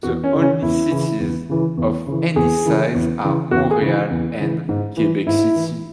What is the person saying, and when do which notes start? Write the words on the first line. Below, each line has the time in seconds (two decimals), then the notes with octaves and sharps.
The only cities of any size are Montreal and Quebec City.
0.03 E2 F#4
0.24 C#4
0.32 C#3 E3
0.42 C#4
0.62 E2 E4
0.91 C#3 E3
1.20 E2
1.49 C#3 E3
1.77 E2
2.07 C#3 E3
2.36 E2 G#4
2.65 C#3 E3
2.94 E2
3.23 C#3 E3
3.51 E2 F#4
3.71 G#4
3.80 C#3 E3
4.11 E2
4.40 C#3 E3
4.69 G#2
4.97 E3
5.26 G#2 E4
5.56 E3